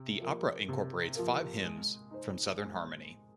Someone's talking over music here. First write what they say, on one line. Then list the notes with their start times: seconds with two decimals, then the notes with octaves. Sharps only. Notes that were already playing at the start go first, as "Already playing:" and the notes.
The opera incorporates five hymns from "Southern Harmony".
Already playing: C3
0.21 F3 A#3
0.68 C3
1.16 F3 A#3
1.63 G#3
2.11 D#4 C5
2.58 G#3